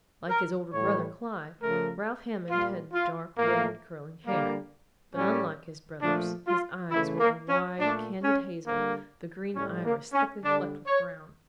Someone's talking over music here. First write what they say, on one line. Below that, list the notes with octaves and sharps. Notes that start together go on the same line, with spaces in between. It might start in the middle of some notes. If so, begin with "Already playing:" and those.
Like his older brother, Clive, Ralph Hammond had dark-red, curling hair. But unlike his brother's, his eyes were a wide, candid hazel--the green iris thickly flecked with brown.
A#4
A2 E3 G3 C#5
C#3 F3 A3 A#4
A#2 G3 F4
F4
A2 F3 A3 A#3
D3 G3 A#3
A2 G3 C#4
A#2 F3 A3 D4
F4
C#3 E3 A3 E4
A#3
C#4
A#2 A3 D4
C#4
D3 G3 A#3
A2 G3 C#4
A#3
C#4
D3 G3 D4
C#5